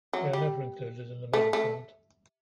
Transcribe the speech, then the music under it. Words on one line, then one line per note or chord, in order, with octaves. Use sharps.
They are never included in the medal count.
F#3
G3
A3
A3